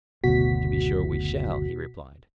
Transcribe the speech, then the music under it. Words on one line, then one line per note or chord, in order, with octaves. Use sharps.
To be sure we shall, he replied.
F#1 D2 B2 F#4 B6